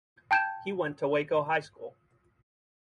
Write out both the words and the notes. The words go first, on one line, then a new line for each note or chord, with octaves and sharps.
He went to Waco High School.
G5 A5 G6 G#6 E7